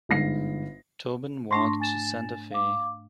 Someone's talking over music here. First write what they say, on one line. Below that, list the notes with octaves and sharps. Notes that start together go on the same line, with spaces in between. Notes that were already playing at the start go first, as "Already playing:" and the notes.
Tobin walked to Santa Fe.
G1 G#2 A#6 C7
G#2 A3 D4 C6 C#6 A#6
G#5 A6 E7
F5 D6